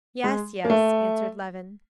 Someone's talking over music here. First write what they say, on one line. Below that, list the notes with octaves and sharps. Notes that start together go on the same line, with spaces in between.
"Yes, yes!" answered Levin.
G#3
A#3
A3